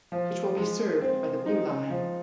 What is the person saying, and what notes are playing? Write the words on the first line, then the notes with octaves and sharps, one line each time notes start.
It will be served by the Blue Line.
F3
G#3
C4
D#4
F3